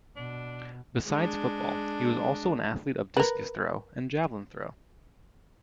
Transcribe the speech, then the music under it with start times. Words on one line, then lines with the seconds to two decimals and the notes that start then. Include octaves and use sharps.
Beside football, he was also an athlete of discus throw and javelin throw.
0.16 B2 D4
1.06 G#3 D4
3.17 A#4 B4